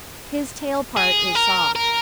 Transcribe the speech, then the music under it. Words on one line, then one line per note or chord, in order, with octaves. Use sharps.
His tail part is soft.
G#4
A#4
A#4